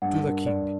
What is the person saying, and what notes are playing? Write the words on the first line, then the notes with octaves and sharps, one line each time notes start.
"To the king."
G2 F#5
A#4
D5